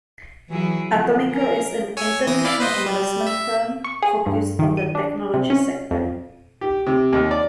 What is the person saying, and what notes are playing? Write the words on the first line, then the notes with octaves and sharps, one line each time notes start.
Atomico is an international investment firm focused on the technology sector.
E3 F#3 E4 G#4
F2 D3
C#4 A#4
C#5 G#5 E6
E3 D#6 A#6
E4 D5 F5
B4 C5 D#5
G3
E5
C#6
G#4
G2
D#3
D#7
D4
C3
C#4
F2
G4
C3
D#2
D5